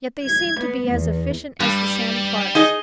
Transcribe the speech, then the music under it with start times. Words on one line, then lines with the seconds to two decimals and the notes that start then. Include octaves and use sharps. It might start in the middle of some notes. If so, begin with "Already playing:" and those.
Yet they seemed to be as efficient as the Sam Clarks.
0.25 G#6
0.60 B3
0.89 E2
1.60 G2 G3
2.55 D#4 G#4 D#5